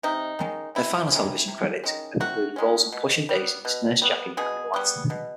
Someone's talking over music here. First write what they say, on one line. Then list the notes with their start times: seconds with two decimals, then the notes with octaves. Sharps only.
Her final television credits have included roles on "Pushing Daisies", "Nurse Jackie", and "Enlightened".
0.03 C3 D#4
0.39 D#3 G#3 C#4
0.75 C3 E4
1.12 D#3 G#3 C#4
1.48 C3
1.84 D#3 G#3 C#4
2.20 C3 F#4
2.56 D#3 G#3 C#4
2.92 B2
3.29 G3 B3
3.65 B2
4.02 G3 B3
4.37 B2 G#4
4.74 G3 B3
5.10 B2